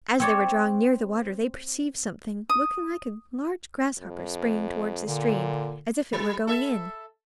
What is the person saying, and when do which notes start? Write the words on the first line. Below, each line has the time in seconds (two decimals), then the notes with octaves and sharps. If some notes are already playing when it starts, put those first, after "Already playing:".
As they were drawing near the water they perceived something, looking like a large grasshopper, springing towards the stream, as if it were going in.
0.20 C4 C#5 D5
2.50 D#6
3.98 F2
5.07 A#2 D3
6.13 G3
6.47 A4 E5